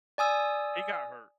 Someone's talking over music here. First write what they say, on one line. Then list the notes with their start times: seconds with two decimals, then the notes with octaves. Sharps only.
He got hurt.
0.18 D5 G#5 D#6 E6